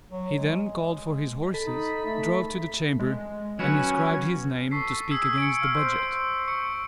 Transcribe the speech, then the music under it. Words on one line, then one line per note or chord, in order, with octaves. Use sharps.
He then called for his horses, drove to the Chamber, and inscribed his name to speak against the budget.
F#3
G#3
A4 B5
D#4
A3
G#3
F#3 C#4 F#4 B4 G#6
A4 C#6 B6 C7
G#4 E6
G#5 C#7 D7
F5
C5
C#6 E6 C#7